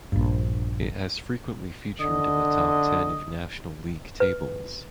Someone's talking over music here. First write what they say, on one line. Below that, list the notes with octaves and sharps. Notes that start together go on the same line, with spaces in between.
It has frequently featured in the top ten of national league tables.
A#1 G2
D3 D#5
B4